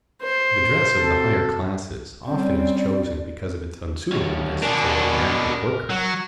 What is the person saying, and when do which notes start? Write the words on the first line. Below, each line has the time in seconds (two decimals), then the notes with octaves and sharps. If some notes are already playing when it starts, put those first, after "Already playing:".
The dress of the higher classes often is chosen because of its unsuitableness for an active worker.
0.22 C5
0.97 C3 F#4 A4
2.27 G3 C4 C#4 D5
4.13 D#3 C#4
4.63 B2 D4 A#4 G#5
5.90 F#3